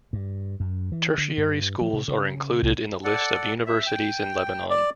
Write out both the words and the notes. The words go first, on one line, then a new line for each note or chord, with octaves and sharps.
Tertiary schools are included in the list of universities in Lebanon.
G2
F#2
E3
D3
G2
F3
C3
C#3
C2
A4 D5 F#5
E5
G5
D5